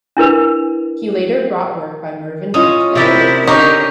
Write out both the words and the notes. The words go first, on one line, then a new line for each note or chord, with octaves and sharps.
He later brought work by Mervyn Peake to the airwaves.
D4 E4 A#4 B4
C#4 F4 D#5 D#6
C3 E4 A#4 C5 D5 G5
D3 C#4 D#4 G4 A#4 C#6